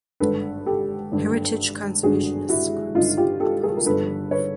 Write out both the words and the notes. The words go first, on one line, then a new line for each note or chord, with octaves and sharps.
Heritage conservationists groups opposed the move.
G#1 G2 D3 A4 B4
G4 A4
G#1 G2 D3
G#1 G2 D3 F#4 G#4
E4 F#4
G#1 G2 D3 D#4 F4
F4 G4
G4 A4
G#4 A#4
A#4
G1 G2 D3 A4 B4
B4 C#5